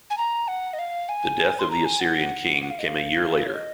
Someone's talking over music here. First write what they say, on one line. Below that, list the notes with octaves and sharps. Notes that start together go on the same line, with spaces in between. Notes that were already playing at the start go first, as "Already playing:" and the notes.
The death of the Assyrian king came a year later.
G#5
A#5
F#5
D#5
F5
G#5
C6
A#5
G#5
F#5
F#5
F5
D#5
F5
C#5
D#5